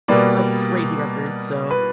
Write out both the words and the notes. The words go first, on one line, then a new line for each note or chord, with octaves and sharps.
broke crazy records, so
B2 G3 A#3 B4 D5
B4